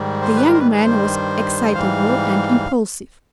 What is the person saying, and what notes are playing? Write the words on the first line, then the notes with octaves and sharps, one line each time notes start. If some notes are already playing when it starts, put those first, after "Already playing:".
The young man was excitable and impulsive.
Already playing: G#2 D#3 G3
C5
B4
A#4
C5
B4
B4
G2 D#3 G3 C5
G#2 E3 G3 F5